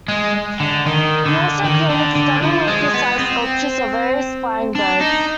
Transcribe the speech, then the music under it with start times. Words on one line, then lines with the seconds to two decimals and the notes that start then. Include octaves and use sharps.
He also created stunningly precise sculptures of various flying birds.
0.08 G#3
0.60 D3
0.86 D#3
1.26 D3
1.64 D#3
1.89 D3
2.15 D3
2.42 F3
2.67 G#3
2.94 B3
3.19 C4
4.75 D4
5.01 D#4